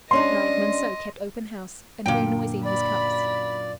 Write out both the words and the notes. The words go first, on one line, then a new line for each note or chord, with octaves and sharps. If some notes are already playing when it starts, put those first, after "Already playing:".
That night Monceux kept open house and grew noisy in his cups.
G3 C#4 D4 D#5 C6
F#2 A#2 D3 A#3 G5
D5 B5